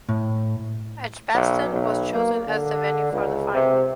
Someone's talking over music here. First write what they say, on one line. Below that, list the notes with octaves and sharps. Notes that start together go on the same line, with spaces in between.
Edgbaston was chosen as the venue for the final.
A2
B1
B1
A#3
D3
C#2
C3